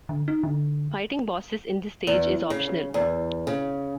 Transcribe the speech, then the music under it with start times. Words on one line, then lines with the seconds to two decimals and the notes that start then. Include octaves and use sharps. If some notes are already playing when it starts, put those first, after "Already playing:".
Fighting bosses in this stage is optional.
0.09 D3
0.28 D#4
0.43 D3
2.07 E2
2.50 C#3
2.94 E2
3.47 C#3